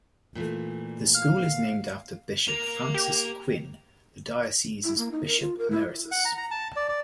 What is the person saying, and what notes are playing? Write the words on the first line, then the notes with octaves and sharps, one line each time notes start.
The school is named after Bishop Francis Quinn, the diocese's bishop emeritus.
A#2 E3 A3
F5
A#3 F7
G4
E4
A#3
D#4
A#4
F4
A#4
E4
F#5
A#5
A#5
A5
D5
D5